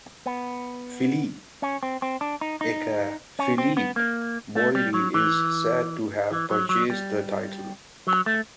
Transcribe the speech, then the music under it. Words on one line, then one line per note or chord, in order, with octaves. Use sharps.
Philippe, aka Philippe Boiry, is said to have purchased the title.
B3
C#4
C4
C4
D4
D#4
D#4
C#4
C4
B3
A#3
A3
G3
F#3
E3
E3
F#3
F#3
G3
F#3
A3